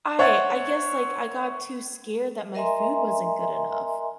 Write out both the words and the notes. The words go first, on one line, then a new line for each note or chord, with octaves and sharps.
I I guess, like, I got too scared that my food wasn't good enough
C5 C#5 E5 F#5 A6
A#4 D#5 E5 G#5 A#5 C6